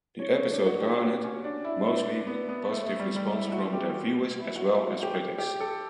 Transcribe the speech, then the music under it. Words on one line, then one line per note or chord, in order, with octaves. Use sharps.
The episode garnered mostly positive response from the viewers as well as critics.
C#5
C#5
D4
F#4
G4
F#4
C#4
D4
E4
E4
B3
B3
A3
A3
G3
G3
E4
E4
F#4
G4
F#4
F#4
E4
F#4
E4
F#4
G4
G4
A4